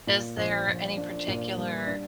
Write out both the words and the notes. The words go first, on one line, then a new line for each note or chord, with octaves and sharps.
Is there any particular
A#2
A#1
A#1
D4
A#2
G3
D4